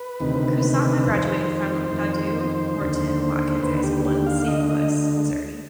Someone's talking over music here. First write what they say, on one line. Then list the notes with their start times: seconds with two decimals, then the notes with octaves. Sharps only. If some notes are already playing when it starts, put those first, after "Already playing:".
Kusama graduated from Ladue Horton Watkins High School in Saint Louis, Missouri.
Already playing: B4
0.20 D2 C3 D#3
1.06 F2 D#3 C5
1.91 F2 D#3
2.77 D#2 D3
3.62 D#2 D3 B4
3.83 G4
4.05 G4
4.27 F5
4.47 D2 D3 D#5
4.69 D#5